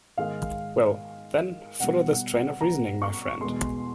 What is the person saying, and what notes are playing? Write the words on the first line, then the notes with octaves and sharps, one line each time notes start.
Well, then, follow this train of reasoning, my friend!
G#2 D#3 G#3 F5
B2 G3 F#5
A#5
C#6
E2 B2 G#3 C6